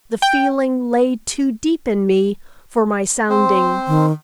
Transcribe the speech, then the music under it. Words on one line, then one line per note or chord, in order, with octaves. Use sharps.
The feeling lay too deep in me for my sounding.
G5
C4 C5
D#3